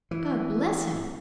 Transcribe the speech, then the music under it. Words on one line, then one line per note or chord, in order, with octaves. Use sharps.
God bless him!
E3